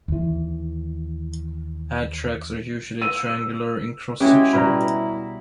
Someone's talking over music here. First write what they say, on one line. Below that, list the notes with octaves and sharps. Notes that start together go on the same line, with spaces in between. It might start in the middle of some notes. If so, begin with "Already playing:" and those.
Air tracks are usually triangular in cross-section.
D#2 E3
E6 D#7
G#3 C#4 E4 F#4 G4
B2 G3 E4 A#5 B5